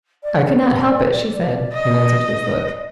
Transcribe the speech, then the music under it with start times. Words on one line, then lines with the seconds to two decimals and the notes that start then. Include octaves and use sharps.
"I could not help it," she said, in answer to his look.
0.23 D5
1.74 D#5